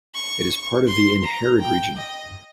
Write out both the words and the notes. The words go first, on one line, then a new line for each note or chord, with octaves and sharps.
It is part of the Innherred region.
C#6
C6
A#5
G5
D#5